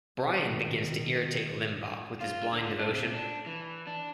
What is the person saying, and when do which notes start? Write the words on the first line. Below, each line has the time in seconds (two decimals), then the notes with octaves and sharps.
Brian begins to irritate Limbaugh with his blind devotion.
0.23 B2 D#3
2.20 F4
2.53 D3
2.79 D4
2.91 C3
3.13 D4
3.46 E3
3.87 D4